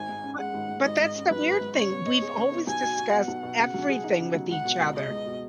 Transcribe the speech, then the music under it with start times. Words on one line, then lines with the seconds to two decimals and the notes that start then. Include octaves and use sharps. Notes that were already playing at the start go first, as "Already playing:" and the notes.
But but that's the weird thing, we've always discussed everything with each other.
Already playing: G#1 G#5
0.09 G#2
0.24 C#4
0.39 G#3 F#5
0.54 G#1
0.69 G#2
0.84 G#1 D#5
1.00 G#2
1.15 C#4
1.30 F#3 B4
1.45 G#1
1.61 G#2
1.76 C#3 C#5
1.91 B3
2.06 D#5
2.21 G#4
2.36 C#3
2.52 B3
2.67 B1 G#5
2.82 B2
2.97 F#4
3.12 B3 F#5
3.28 B1
3.43 B2
3.58 C#3
3.74 F#3
3.89 G#4
4.04 D#4
4.20 C#3
4.35 F#3
4.49 C#2 F#5
4.65 B2
4.80 C#2
4.95 G#3 D#5
5.11 C#2
5.26 B2